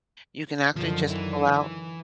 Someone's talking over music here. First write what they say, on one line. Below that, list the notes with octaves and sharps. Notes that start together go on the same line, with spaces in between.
you can actually just pull out
F#2 D3 D#3 F3
E3